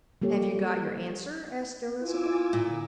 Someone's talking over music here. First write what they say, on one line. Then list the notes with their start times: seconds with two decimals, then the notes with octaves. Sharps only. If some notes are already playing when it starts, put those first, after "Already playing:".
"Have you got your answer?" asked Elizabeth.
0.22 G3 A#3 G4 A4 C#5
2.01 E4 F4 G#5 D6 E6
2.53 A#2 D3